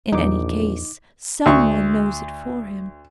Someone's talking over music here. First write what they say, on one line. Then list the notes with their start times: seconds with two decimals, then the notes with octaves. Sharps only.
In any case, some one knows it for him.
0.12 A#1 E2 D#4 D6
1.46 D2 C#6